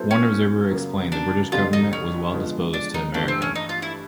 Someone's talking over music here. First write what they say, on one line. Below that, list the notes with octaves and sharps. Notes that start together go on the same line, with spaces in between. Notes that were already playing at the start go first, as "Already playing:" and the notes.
As one observer explained, the British government was well disposed to America.
Already playing: F#3 B3 E4 A4 C5
C#4
F#2 C#3 F#3 A#3
D4
F2 D3 G3 F4
D#4
C#4
D3 F3 G#3 B3
D4
D#4
G2 E3 A3 D4
C4
C#4
D#4
F4
E4